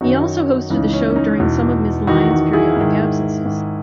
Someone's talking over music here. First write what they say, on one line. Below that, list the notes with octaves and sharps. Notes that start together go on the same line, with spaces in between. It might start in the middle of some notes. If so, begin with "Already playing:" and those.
He also hosted the show during some of Ms. Lyons' periodic absences.
F#2 D#3 D#4 F#4
C#2 C#3 E3 D#4
C#4
C#4
D#4
E2 B2
E2 D#3 D#4 F#4
D#4 F#4
E4 G#4
G#2 D#3
G#2 D#3